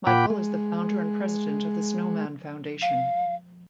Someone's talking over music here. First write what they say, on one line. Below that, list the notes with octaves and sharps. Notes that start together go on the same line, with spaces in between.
Michael is the founder and president of the Snowman Foundation.
A#2 F4 F#5 G5 B5 D6
G#3
F5